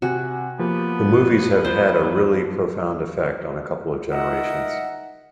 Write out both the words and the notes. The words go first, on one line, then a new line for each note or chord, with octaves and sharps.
The movies have had a really profound effect on a couple of generations.
C3 F#4 F#5 G#5
F3 A#3 B3 G4
C5
D#4 A#4 E5 F#5